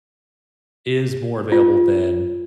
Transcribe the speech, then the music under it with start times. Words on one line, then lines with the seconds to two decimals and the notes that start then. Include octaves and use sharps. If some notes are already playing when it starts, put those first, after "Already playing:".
is more available than
1.52 F4